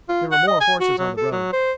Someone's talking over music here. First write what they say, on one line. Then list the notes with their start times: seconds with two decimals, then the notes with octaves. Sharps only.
There were more horses on the road.
0.09 F4
0.32 F#5
0.48 D#5
0.61 G#5
0.80 F#4
0.99 F#3
1.17 A4
1.32 F#3
1.53 C5